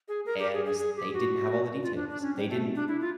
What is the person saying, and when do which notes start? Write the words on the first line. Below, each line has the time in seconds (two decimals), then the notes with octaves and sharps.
and they didn't have all the details, they didn't
0.08 G#4
0.26 A#4
0.39 G4
0.53 G#4
0.65 G#4
0.78 G#4
0.96 G4
1.14 F#4
1.83 F4
1.96 D4
2.09 D4
2.22 C#4
2.36 G3
2.49 A3
2.75 D4
2.88 E4
3.01 F4